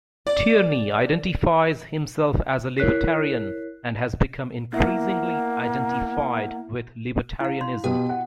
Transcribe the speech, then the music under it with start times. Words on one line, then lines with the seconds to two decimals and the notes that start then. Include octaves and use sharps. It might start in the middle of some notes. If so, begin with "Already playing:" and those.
Tierney identifies himself as a libertarian and has become increasingly identified with libertarianism.
0.27 D5
2.78 E4 A#4 C#5 F#6 B6 C7
4.73 A#3 B3 E4 E5 F#5
7.41 E4 F5
7.61 C6
7.84 B2 G4 G5
8.09 F#5